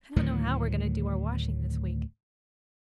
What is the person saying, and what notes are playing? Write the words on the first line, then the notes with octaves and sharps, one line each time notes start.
I don't know how we are going to do our washing this week.
D2 A2 D#3 F#3